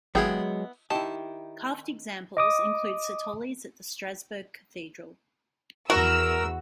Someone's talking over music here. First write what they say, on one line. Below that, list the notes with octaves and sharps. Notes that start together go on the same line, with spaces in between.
Carved examples include citoles at the Strasbourg Cathedral.
G#1 F#3 G#3 B3 E4 G#4 G5 G#6
D#3 E4 G4 A5
D#5 D6 D#6
E2 F#4 A#4 E6